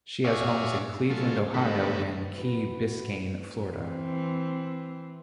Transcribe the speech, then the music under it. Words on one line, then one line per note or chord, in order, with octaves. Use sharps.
She has homes in Cleveland, Ohio, and Key Biscayne, Florida.
F#4 G#4 C#5 D5 E5 F5
C#3 F#3 A3 F4
D3 D#3 G3 A3 B3
E3 F#4 B4
E3 C4